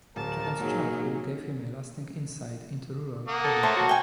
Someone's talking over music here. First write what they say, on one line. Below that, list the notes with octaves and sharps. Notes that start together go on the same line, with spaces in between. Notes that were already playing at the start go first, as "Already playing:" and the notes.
Jagan's childhood gave him a lasting insight into rural poverty.
D1 A#4 A5
A#2 F#3 D#4 G#4
A#3 F#5 D#6
A4
A3 C5 C#5 A5
F#4
G5 G#5